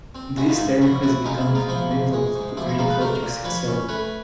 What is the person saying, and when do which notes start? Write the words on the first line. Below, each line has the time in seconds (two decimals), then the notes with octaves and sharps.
This term has become fundamental to green politics itself.
0.15 C4
0.37 G#3 E4 F#4
0.49 D#4 F4
0.59 G#2 E4
0.81 F3 E4 F#4
1.03 C4 E4 F#4
1.25 G#3 D#4 F4
1.40 E4
1.47 G#2
1.55 D#4 F4
1.69 F3 E4
1.90 G#2
2.13 G#3
2.36 G#2
2.57 F3 E4
2.69 E4
2.78 G#2 D#4 F4
2.90 A4 B4
3.01 A3 A#4 C5
3.23 A#2
3.44 F3 B4 C#5
3.67 C#4
3.89 A3 B4 C#5